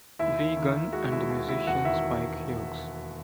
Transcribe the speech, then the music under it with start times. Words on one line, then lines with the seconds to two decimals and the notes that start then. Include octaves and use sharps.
B. Gunn and the musician Spike Hughes.
0.19 D#2 E4 E5
0.38 D#3
0.57 D#3
0.75 D#2
0.93 G#3 F#4 F#5
1.12 D#2 E4 E5
1.30 D#2
1.48 D#2 E4 E5
1.67 E1 F#4 F#5
1.85 D#3 E4 E5